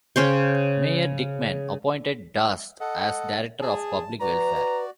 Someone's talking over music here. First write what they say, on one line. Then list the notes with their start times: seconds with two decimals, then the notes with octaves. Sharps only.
Mayor Dickmann appointed Darst as Director of Public Welfare.
0.16 C#3 C#4 C5 G5
2.81 A4 D#5 F#5
3.62 G#4 A5
4.21 F#4 B4 D5 A#5
4.56 B4